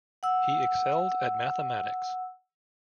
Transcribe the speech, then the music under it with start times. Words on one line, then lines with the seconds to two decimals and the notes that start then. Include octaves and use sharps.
He excelled at mathematics.
0.23 F#5 E6